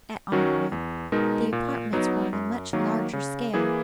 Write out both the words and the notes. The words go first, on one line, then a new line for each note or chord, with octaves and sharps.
"At Arnwood; the apartments were on a much larger scale."
D#3 F#3 C#4 F#4
E2
B2 G#3 D#4 A#4
A#2
F#3 B3 D#4
F#2
D#3 F#3 A#3
C#3
E3 A#3 E4 G#4